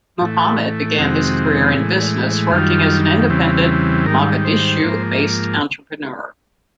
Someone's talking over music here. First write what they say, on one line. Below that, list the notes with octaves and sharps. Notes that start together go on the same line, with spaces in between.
Muhammad began his career in business, working as an independent Mogadishu-based entrepreneur.
A2 E3 A3
F2 C3 D#3 G#3 C4 F#4
A2 E3 G#3
F#2 D#3 G3 F4
E2 C#3 E3 G3 C4
G#2 D#3 G3 A#4
C5
G#2 F3 A#3